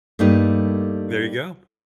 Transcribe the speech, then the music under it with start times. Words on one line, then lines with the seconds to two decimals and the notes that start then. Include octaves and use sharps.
There you go,
0.19 G2 G3 A3 A#3 D#4